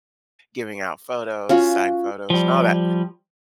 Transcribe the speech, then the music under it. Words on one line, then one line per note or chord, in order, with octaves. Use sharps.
giving out photos, signed photos and all that,
C#4 F4 F#4
F3 G3